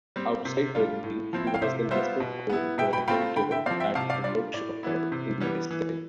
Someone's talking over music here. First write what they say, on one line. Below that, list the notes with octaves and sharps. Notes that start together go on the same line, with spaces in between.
Outside rugby he was a National Coal Board fitter at their workshop in Maesteg.
G3 C4
C3
G3 D4 F4
A2
F3 C4 E4
G5
F5
C3 C5 E5
G3 B3 F4 C5 E5
B2
B3 E4
B2 E5 G5
G5 B5
A3 C4 F4 G5 B5
D3 G5 B5
E5 G5
F3 C4 D5 F5
E5 G5
C3 F5 A5
D5 F5
G3 D4 F4 D5
A2 D5
E3 B3 E4
C3
E3 G3 B3
E3